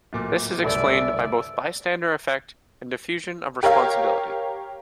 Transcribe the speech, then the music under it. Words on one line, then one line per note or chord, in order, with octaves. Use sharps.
This is explained by both bystander effect and diffusion of responsibility.
D1 A#2 D6
G1 C2 B2 G#3 A3 D5 E5
G4 A#4 C#5 F5